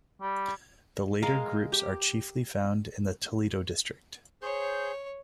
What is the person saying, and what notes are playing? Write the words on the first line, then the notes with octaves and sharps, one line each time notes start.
The later groups are chiefly found in the Toledo District.
G3
G#3 A#4 F5
G4
G#4 C5 C#5 G6